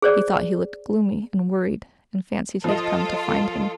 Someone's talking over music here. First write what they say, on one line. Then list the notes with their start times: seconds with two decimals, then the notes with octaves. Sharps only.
He thought he looked gloomy and worried, and fancied he had come to find him.
0.02 G#4 C5 D5
2.64 F3 F4 A4 D#5